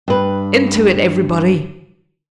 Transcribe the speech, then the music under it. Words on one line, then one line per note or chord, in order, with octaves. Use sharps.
"Into it, everybody!"
G2 B4